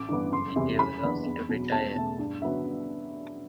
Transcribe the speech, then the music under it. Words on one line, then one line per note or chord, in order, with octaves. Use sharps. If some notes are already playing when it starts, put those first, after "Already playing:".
Will you allow me to retire?
Already playing: A1 D6
G2 E3 B3
F#1 C6
E2 C3 E3 G3
F#2 B5
E3 B3 D4
E2
B2 F#3
E2 A5
B2 A3
G2
D3 F#3 B3 D4 E5